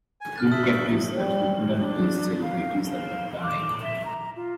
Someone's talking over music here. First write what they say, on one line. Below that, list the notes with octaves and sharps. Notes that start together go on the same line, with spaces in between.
Team captains were popular based celebrities of the time.
G#5
F6 F#6 A6
E5 A5 D#6
G2 A#2
G3
D4
F5
F5
D6
E5
A#5
F4